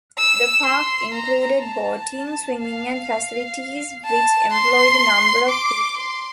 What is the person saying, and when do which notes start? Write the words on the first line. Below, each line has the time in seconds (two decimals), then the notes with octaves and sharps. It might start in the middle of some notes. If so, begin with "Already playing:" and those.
The park included boating, swimming and facilities which employed a number of people.
0.18 E6
0.66 C6
1.14 A#5
1.63 A5
2.60 F5
4.05 A5
4.53 C6
5.49 D6
5.97 C6